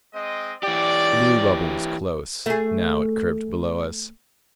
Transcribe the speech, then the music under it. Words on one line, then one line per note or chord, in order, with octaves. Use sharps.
The blue bubble was close; now it curved below us.
G#3 C4 D#5
E3 G4 D5
A3 G#4